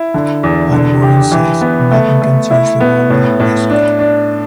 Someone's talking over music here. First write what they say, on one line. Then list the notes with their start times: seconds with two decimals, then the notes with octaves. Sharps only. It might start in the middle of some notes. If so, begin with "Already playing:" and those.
And Warren says "nothing can change the world like music".
Already playing: E4
0.14 D3
0.43 E2
0.72 D3
1.02 G4
1.32 E3
1.61 B3
1.91 A3
2.22 A3
2.50 E4
2.80 B3
3.10 A2
3.40 A2
3.70 D4
3.99 D4